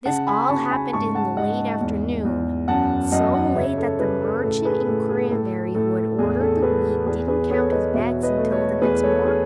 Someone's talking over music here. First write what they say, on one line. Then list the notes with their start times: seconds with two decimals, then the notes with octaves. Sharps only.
This all happened in the late afternoon, so late that the merchant in Cranberry who had ordered the wheat didn't count his bags until the next morning.
0.06 C#3 F#5 A5
0.27 G#5 B5
0.49 C#3 A5 C#6
0.71 G#5 B5
0.93 G#2 A5 C#6
1.15 F#5 A5
1.37 G#2 D#5 F#5
1.81 E2
2.25 E2
2.68 F#2 F#5 A5
3.12 F#2 D#5 F#5
3.34 D#5 F#5
3.55 C#3 C#5 E5
3.77 A4 C#5
3.99 C#3 G#4 B4
4.22 A4
4.44 A2 A4
4.65 G#4 B4
4.87 A2 A4
5.09 G#4
5.31 A2 A4
5.75 A2 A4
6.19 E2 G#4
6.41 A4
6.62 B3 G#4 B4
7.06 E2 G#4 B4
7.28 G#4 B4
7.50 B3 A4 C#5
7.72 B4 D#5
7.94 B2 C#5 E5
8.23 B4 D#5
8.37 A3
8.52 A4 C#5
8.82 E2 G#4 B4
9.03 A4 C#5
9.25 G#4